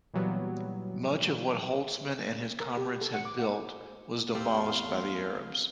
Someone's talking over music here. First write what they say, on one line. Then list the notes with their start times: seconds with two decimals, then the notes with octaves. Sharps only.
Much of what Holtzman and his comrades had built was demolished by the Arabs.
0.14 A#2 E3 F#3 G3 B3
2.60 A#4
2.77 G4
3.01 A4
3.14 F#5
3.25 D6
3.39 F#5
4.35 E2 A3 C4 G4 A4 F5 C6